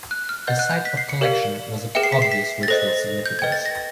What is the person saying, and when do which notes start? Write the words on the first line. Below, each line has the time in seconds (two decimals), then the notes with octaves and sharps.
The site of collection was of obvious ritual significance.
0.11 F#6
0.29 F6
0.47 B4 D#5 F#5 G6
0.59 F#6
0.71 G6
0.85 B6
0.97 C7
1.09 C#7
1.21 G4 A#4 D5 F5
1.95 G#4 B4 E5 G5 C#7
2.03 C7
2.12 B6
2.22 C7
2.32 B6
2.63 A6
2.68 A4 C5 D#5 A#6
3.26 G6
3.39 B4 D#5 G5 G#6
3.52 A6
3.66 A#6